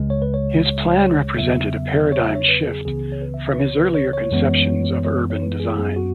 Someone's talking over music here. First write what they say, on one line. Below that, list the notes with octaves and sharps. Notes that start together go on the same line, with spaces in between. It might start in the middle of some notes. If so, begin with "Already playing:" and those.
His plan represented a paradigm shift from his earlier conceptions of urban design.
Already playing: C#2 C#3 G#3
C#5
B4
C#5
C#5
E5
C#5
C#5
C#5
E2 C#3 F#3 B3 E5
C#5
E5
C#5
B4
G#4
C#2 C#3 E3 B3 G#4
C#5
B4
E5
E5
B4
C#5
B4
C#5
C#5
F#2 E3 G#3 B3
C#5
C#5
B4
G#4
F#2 F#3 B3 G#4
F#4